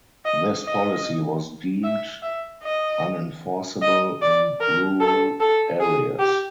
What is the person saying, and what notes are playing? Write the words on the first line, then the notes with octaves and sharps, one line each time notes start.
This policy was deemed unenforceable in rural areas.
D#5
D#5
E5
E5
D#5
D#5
D5
A#4
A4
A4
G#4
G4